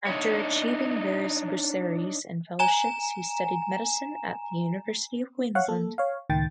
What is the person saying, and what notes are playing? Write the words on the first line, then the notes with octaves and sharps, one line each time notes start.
After achieving various bursaries and fellowships he studied medicine at the University of Queensland.
D4 D#4 C#5
G#5 A#5 E7
C#5 F5 F#5
A#3 A4
C#5 F5
C#2 A2 D#3 G5 A6